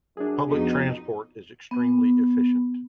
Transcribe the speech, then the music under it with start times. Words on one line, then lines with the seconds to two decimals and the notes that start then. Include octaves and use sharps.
Public transport is extremely efficient.
0.17 F#2 D4 G#4
0.50 F2 B3 D#4 F#4
1.71 B3